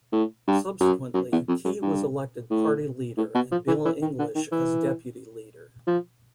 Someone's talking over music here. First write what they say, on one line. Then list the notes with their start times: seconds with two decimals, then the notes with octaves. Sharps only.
Subsequently, Key was elected party leader and Bill English as deputy leader.
0.13 A2
0.48 G2
0.81 F#2
1.14 F#2
1.32 E2
1.48 F2
1.65 F#2
1.82 G2
2.50 A2
3.17 A2
3.35 B2
3.52 F3
3.68 E3
3.85 E3
4.02 D#3
4.19 D3
4.35 D#3
4.52 E3
5.87 F3